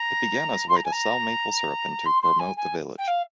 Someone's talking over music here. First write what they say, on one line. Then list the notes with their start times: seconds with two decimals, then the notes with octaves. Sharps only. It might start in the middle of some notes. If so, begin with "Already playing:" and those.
It began as a way to sell maple syrup and to promote the village.
Already playing: A#5
0.68 C6
0.76 A#5
0.84 G#5
0.92 A#5
2.05 C6
2.22 C6
2.39 G#5
2.56 G#5
2.98 G5
3.07 F5